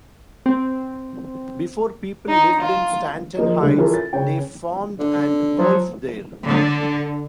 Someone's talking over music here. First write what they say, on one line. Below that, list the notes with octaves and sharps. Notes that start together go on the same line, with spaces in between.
Before people lived in Stanton Heights, they farmed and golfed there.
C4
D#4
F4
F3 A#3 D#5
D3 G3 A3
E3 C#4 F4 A4 A#4
A6
C#3 C#5 G5
D3
F3 F#3
D3